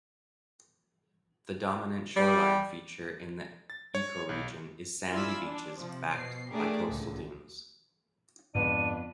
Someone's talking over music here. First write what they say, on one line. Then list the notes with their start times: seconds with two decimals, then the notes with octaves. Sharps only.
The dominant shoreline feature in the ecoregion is sandy beaches backed by coastal dunes.
2.16 G3
3.70 A6
3.95 C#5
4.29 B1
5.11 E4 F4 D5 G#5 B5 E6
5.43 D4
5.79 C3 F3
6.12 B2 C7
6.51 A3 D4 G4 G#4 A#4 D5
6.88 C#2 A2 D3
8.55 F2 G#2 D3 G#3 B3 D4 D#7